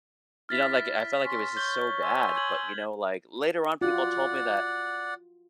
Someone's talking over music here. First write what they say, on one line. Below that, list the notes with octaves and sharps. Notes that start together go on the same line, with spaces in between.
You know, like I felt like it was just so bad. But you know like later on, people told me that,
E4 F6 A6 B6
C#4 C6
C#5 G6 G7
G#5 C6 E6
G6 G#6 F#7
F4 F#4 D5 F#5